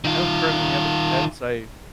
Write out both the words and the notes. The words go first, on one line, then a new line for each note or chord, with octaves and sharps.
I don't currently have any pets. I
D#3 F4